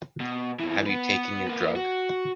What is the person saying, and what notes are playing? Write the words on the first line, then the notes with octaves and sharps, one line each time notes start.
Have you taken your drug?
B2
F2 E3
B3 B4
A#3 B4
F#4